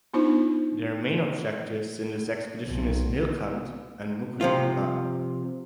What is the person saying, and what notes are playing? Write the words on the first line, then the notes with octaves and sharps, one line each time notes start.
Their main objectives in this expedition is Nilkanth and Mukut Parbat.
B3 D4 D#4 F4 C5
B1
C3 F3 F4